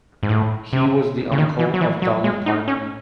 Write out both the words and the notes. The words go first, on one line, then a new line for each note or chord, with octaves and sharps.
He was the uncle of Dolly Parton.
G#2
A2
C3
C#3
D#3
E3
F#3
E3
F#3
G#3
D#4
C#4